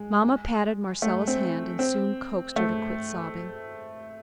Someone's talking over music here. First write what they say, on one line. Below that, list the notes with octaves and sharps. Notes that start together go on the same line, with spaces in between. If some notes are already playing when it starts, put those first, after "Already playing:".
Mamma patted Marcella's hand and soon coaxed her to quit sobbing.
Already playing: G#3
A3
C4
C4
A3